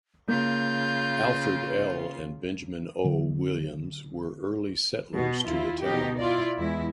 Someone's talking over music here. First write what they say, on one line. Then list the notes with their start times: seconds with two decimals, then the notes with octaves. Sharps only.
Alfred L. and Benjamin O. Williams were early settlers to the town.
0.28 C#3 A#3 F4 G6
3.04 D3 F#3
5.15 B2
5.44 D#2 E4 F4
5.82 B2 D#4 G4
6.19 E4 F4 D5
6.57 E2 G#3 E4